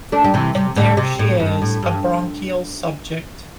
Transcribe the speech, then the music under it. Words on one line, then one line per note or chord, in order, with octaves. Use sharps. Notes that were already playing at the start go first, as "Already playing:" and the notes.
And there she is — a bronchial subject!
A3 D4
G3
C3 E3
C3
A2 D3
C3
A2
G2
A2
G2